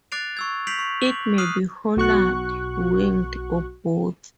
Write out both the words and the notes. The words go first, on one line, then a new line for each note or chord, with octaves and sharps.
It may be horned, winged, or both.
D6 F#6 A6 C7 D7 F7
C#6 E6 G#6
G6 B6 C7 D7 F7 F#7
C#6
D6 F#7
D#6 F6 F#6 C7 D#7
B1 F#4 C#6 F#6